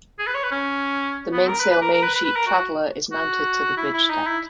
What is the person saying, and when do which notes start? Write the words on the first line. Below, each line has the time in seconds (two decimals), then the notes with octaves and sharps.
The mainsail mainsheet traveler is mounted to the bridge deck.
0.19 G#4
0.27 B4
0.34 C#5
0.43 B4
0.51 C#4
1.32 B3
1.48 A#4
1.60 B4
1.71 B4
1.81 A#4
1.92 A#4
2.03 B4
2.14 B4
2.24 B4
2.36 A#4
2.47 F#4
3.12 F#4
3.77 E4
3.93 E4
4.10 D#4
4.26 E4